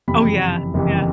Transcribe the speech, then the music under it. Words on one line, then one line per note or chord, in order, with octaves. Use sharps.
Oh yeah, yeah.
F#1 F2 C3 E3 B5
F#1 F2 C3 E3